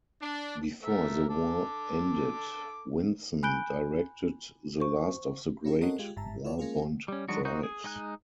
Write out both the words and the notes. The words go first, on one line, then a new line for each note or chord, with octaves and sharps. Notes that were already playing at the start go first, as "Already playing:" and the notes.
Before the war ended, Vinson directed the last of the great war-bond drives.
D4
A3 A#4 E5
A4 D6
G#5 B5 F#6 G6 D7 G7
C5 C#6
A#3 C#4 E4 G#4
C4 A4 A#4 C#5 D#5 F#5
G#3 F4 G4
G1 G#2 E5 A5 A#5
E4 F4 B4 C#5 D5
G#3 A#3 C#4 F4 G#4
G3 C#4
D#3 F#3 G#3 D4 F#4
D#4 F#4 C5 G6
G#4
G#3 D#4 G#5 F#6